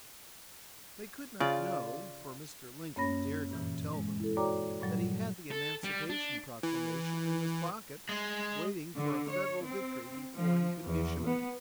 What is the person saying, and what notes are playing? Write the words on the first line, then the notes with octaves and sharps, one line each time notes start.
They could not know, for Mr. Lincoln dared not tell them, that he had the Emancipation Proclamation in his pocket waiting for a Federal victory before he could issue it!
C#3 F4 D5
F#2 A#3 C#4 C#5 B5 A#6
G2 A#2 E3
G#3
E4 A4
F#4 C#5 D5 G5 A#5 D6
G2 A#2 F#3 G3
A4
G3
D4
E3
G#3
D3
C#5
C4
F3
E2
B3